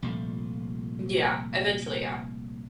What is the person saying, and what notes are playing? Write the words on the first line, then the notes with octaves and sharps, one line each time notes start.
Yeah, eventually, yeah.
C2 A#2 F3 A3